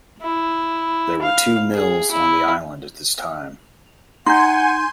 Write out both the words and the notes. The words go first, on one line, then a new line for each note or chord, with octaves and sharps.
There were two mills on the island at this time.
E4
F5
G#4
E4
D#4 F#5 G#5 C6 G6